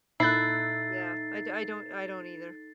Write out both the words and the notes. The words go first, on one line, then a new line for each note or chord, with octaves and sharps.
Yeah, I d I don't I don't either
A#2 D#4 E4 A4 F#6 A6 C7